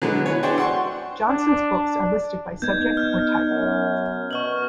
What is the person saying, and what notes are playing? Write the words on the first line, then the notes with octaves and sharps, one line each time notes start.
Johnson's books are listed by subject or type.
D3 F#3 G#3 B3
E3 B4 C#5
D4 F#4 G#4 C5 D5 G5
F#5 C6 C#6
D4
B3 D#4 G6 G#6
F6 G6
F#2
B2 C#6 F6 F#7